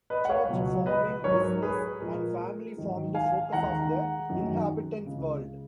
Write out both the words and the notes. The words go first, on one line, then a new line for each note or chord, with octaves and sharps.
Church, farming, business, and family formed the focus of the inhabitants' world.
B4 D#5
F#5
C#5 F5
C#2 B2 F#3
B4 D#5
G#2 F#3 A#4 C#5
G#4 B4
A#2 F3 G#3 A#4
G#2 D#3 F#3
F5 G#5
D#2 D#3 G#3 F#5 A#5
F#2 D#3 F#3
C#2 C#3 G#3